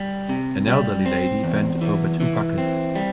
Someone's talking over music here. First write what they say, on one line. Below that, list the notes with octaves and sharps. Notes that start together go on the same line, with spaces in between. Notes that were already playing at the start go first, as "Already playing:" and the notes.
An elderly lady bent over two buckets.
Already playing: G3
C3
G3
C4
E2
E3
E3
C4
G3